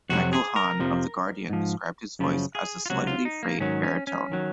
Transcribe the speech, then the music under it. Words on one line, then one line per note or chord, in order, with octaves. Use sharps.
Michael Hann of "The Guardian" described his voice as a "slightly frayed baritone".
F2 C3 F#3 F#4
G#4
A#4
F2 C3 F3
G#2 F3
F#2 C#3 F3
G#4
F4
C#2 C3 F#3 F#4
F4
D#4
A#3
G#2 D#3 F#3 C#4
C#4
C#4
D#3 F#3